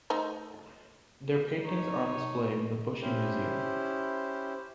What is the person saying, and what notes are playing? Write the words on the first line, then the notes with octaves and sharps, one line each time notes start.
Their paintings are on display in the Bushey Museum.
A3 D#4 C5
D#4 C#5
C#4 E4 G4 C5